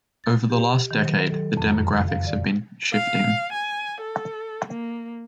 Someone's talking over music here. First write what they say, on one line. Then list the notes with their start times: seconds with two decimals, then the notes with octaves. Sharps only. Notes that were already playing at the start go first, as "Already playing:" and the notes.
Over the last decade, the demographics have been shifting.
0.24 A6
0.50 G4
0.91 D#3
1.05 F#3
1.29 A4
1.57 F2
1.71 F#2
1.84 C#3
2.08 F5
2.26 D5
2.93 F5
3.52 G#5
4.01 A4
4.69 A#3